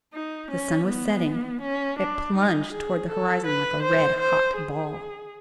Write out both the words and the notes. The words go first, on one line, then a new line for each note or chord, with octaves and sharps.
The sun was setting; it plunged toward the horizon like a red-hot ball.
D#4
C#4
B3
C#4
D4
D#4
G#4
A4
B4
C5
C5
G#4